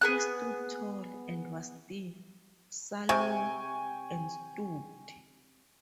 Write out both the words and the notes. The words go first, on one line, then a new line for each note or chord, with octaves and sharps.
He stood tall, and was thin, sallow, and stooped.
B3 G#4 F#6
C3 G5 G#5 C#6